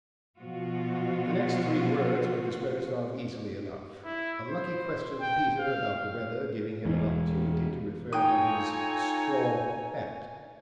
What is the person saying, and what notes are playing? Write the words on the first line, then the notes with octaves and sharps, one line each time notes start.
The next three words were disposed of easily enough, a lucky question to Peter about the weather giving him an opportunity to refer to his straw hat.
B2 F3 F4 F#4
E4
C5
G5
F5
E1 E2 E3
D#4 F4 A4 C#5 G5 G#5 D#6